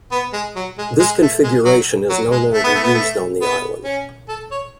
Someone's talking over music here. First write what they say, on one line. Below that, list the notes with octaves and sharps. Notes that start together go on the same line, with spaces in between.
This configuration is no longer used on the island.
B3
G#3
F#3
G#3
G#3
A3
G#3
F#3
F#3
G#3
A3
B3
A3
B3
A3
B3
C#4
A4
C#5